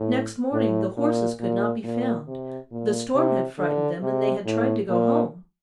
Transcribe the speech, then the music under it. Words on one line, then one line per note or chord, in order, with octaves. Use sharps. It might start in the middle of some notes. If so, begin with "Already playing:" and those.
Next morning the horses could not be found; the storm had frightened them, and they had tried to go home.
Already playing: A2
A2
A#2
A#2
A#2
C3
A#2
C3
D3
C3
A2
A#2